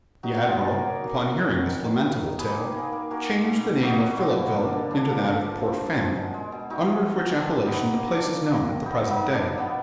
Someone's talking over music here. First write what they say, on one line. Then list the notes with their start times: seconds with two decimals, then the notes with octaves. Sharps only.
The Admiral, upon hearing this lamentable tale, changed the name of Philippeville into that of Port Famine, under which appellation the place is known at the present day.
0.23 F#3 D#4 F#4
0.41 F#3
0.47 F4 G#4
0.59 B2
0.71 F#4 A#4
0.77 A#3
0.95 A#3
1.13 B2
1.30 B2
1.49 B2
1.67 D#3
1.85 D#3
2.03 D#3
2.20 D#3
2.38 A#3 G#4 B4
2.56 D#3
2.75 A#3
2.92 A#3
3.11 A#3 F#4 A#4
3.29 B2
3.47 B2
3.65 B2
3.83 A#3 D#4 F#4
4.01 B2
4.19 A#3 B3
4.36 B2
4.54 A#3 D4
4.73 D3
4.91 F3 D4
5.09 A#3
5.26 D3
5.44 F3
5.62 F3
5.81 F3
5.99 G#3
6.16 B2
6.34 G#3
6.52 B2
6.70 G#3 D#4 F#4
6.89 G#3
7.06 B2
7.24 B2
7.42 D#3 D4 F4
7.60 A#3
7.66 B3 D#4
7.78 A#3
7.96 A#3
8.14 D#3 D4
8.32 A#3
8.50 A#3
8.68 D#3
8.86 B2 B3 D#4
9.04 A#3
9.09 B3 D#4
9.22 B2
9.34 D4
9.40 A#3
9.57 B2 B3